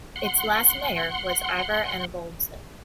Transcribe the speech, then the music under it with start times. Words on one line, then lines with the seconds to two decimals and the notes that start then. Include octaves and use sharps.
Its last mayor was Ivar Enevoldsen.
0.16 F#5 C6